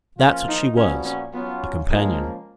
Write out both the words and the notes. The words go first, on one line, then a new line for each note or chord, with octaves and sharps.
That's what she was,--a companion.
F3 A#3 C#4 F4
D#4
A#2 F3 B3 C#4 F#4
C#4
F#3 B3 C#4 F4
C#3 F3 G#3 A#3